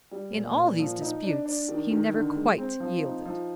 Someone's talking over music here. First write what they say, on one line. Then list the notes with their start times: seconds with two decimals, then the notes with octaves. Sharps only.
In all these disputes he never quite yielded.
0.11 G3
0.34 A#2
0.57 A#2
0.79 F3
1.01 D#4
1.24 D4
1.46 D4
1.68 D#3
1.91 D#3
2.13 D3
2.36 G#3
2.58 C4
2.80 F3
3.04 D#4
3.25 F3